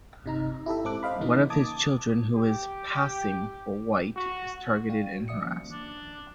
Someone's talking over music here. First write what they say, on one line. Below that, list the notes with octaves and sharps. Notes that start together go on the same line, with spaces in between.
One of his children, who is "passing" for white, is targeted and harassed.
G1 C3 D#4 A#5
E4 G4 A4 E5
G#2 C4 A4 D6 F#6
C5 D#5 F5 B5
C#3 E3 A#3 B3 D#4
A5 D6 D#6 G#6
G4
F#4
D5 F5 G5
F#4
C#3 F3 D5 E5 D#6 C#7
D#3 F3 G3 A#3 C#4
D4